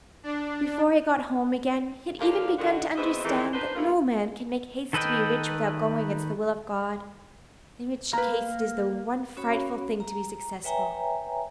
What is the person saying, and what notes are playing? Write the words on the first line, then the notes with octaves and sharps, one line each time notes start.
Before he got home again, he had even begun to understand that no man can make haste to be rich without going against the will of God, in which case it is the one frightful thing to be successful.
D4
D#2 D3 A#3 G4 F5
D3 D#3 F#4
G#2 B2 C4 B4 D#5 E5
F2 G#2 D#3 E3
D4 D#4 B4 C5
G2 B2 A#3 E4 F4
D#3 A4 B4 D#5 G5
A#3 B4 A#5
C#4 F#4 C#5 B5
A#5
B4 C#5 E5 G5 G#5 A#5